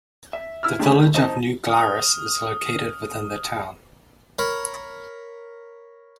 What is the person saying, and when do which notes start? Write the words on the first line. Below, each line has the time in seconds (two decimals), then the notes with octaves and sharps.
The village of New Glarus is located within the town.
0.33 E5
0.63 E4 E6 F6
0.79 G#3 A3 D4 G4 B5
1.14 B1 D#4 C5 A5
1.69 D#6 F6
4.39 A#4 C#5 B5